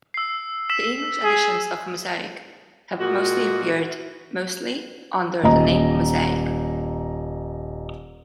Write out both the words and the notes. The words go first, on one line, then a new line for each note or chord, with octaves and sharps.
The English editions of "Mosaik" have mostly appeared mostly under the name "Mosaic".
E6 C7
E6 B6 E7
G#4
A#2 G#3 F4 F#4
D#1 D#5 A#5